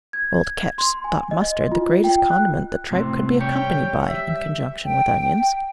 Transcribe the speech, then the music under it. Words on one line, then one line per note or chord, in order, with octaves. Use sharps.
Old Ketch thought mustard the greatest condiment that tripe could be accompanied by, in conjunction with onions.
G#6
C6
G#5
D#5
F4
G5
F#6
A2 C3 C4
G3 G4 C#5 G5
E5
G5